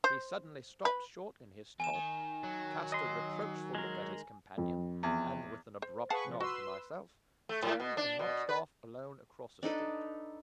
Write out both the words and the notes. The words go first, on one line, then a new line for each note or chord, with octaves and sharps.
He suddenly stopped short in his talk, cast a reproachful look at his companion, and, with an abrupt nod to myself, turned and marched off alone across the street.
C5
B4
E2 G#5 E7
D#3
F#3
D#5 C6
G#3 A#4
F2
E2
C5
G#4 B4 F5 F#5 A5 C#6
C3 F3
F#4 B4 C6 E6
A3
A2
B2
D4
B2
B4
D4 D#4 A4 B4